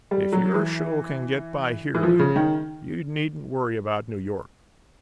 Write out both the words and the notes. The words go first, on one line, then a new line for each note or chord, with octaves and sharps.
If your show can get by here you needn't worry about New York.
G3
F#3
E3
E3
F3
C#3
D#3